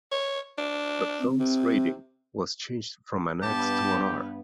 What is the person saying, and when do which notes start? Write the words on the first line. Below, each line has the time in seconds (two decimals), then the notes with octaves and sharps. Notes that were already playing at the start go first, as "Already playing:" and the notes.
The film's rating was changed from an "X" to an "R".
0.12 C#5
0.58 D4
1.20 C4
1.40 C3
3.43 G2 B3 G4 A5